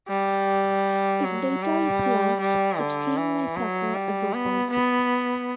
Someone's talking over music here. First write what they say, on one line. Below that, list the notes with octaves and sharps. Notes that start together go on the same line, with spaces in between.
If data is lost, the stream may suffer a dropout.
G3
F#3
G3
G3
D3
E3
F#3
G3
B3
B3